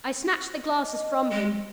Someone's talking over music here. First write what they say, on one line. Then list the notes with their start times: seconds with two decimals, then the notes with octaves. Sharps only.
I snatched the glasses from him.
0.83 D#5
1.32 G#3